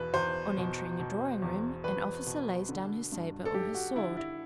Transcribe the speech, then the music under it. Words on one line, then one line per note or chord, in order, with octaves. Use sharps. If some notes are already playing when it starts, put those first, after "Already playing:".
On entering a drawing room, an officer lays down his sabre or his sword.
Already playing: E2 B2 B4
E2 C5
B2
B2
E2
E2 B4
B2
D3
G2
A4
G2 G4
F#4
D3 E4
E4